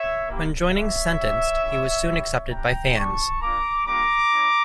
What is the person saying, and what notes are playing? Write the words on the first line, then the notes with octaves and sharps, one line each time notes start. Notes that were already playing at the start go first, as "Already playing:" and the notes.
When joining Sentenced he was soon accepted by fans.
Already playing: C#5 E5
A#3 E4 G4
A#3 E4 G4 C#5 E5
G3 D4 G4
C#4 E4 G4
C#4 E4 G4
G3 D4 G4 G5 A#5
G3 D4 G4 A5 C#6
A#3 D4 F4 A#5 D6
G3 A#3 D4 F4 A#5 D6
C#4 E4